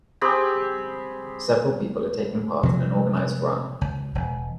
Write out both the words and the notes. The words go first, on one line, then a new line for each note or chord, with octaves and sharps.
Several people are taking part in an organized run.
C4 G4 G#4 B5
C3 F3 F#3
C#2
E1